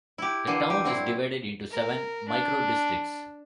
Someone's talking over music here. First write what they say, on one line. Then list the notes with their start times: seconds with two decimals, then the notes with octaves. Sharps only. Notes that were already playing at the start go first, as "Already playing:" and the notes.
The town is divided into seven microdistricts.
0.18 E4 G4
0.47 D3 E3 A#3
0.70 G4
0.84 F#3 C4 E4
1.70 A#4
2.29 D4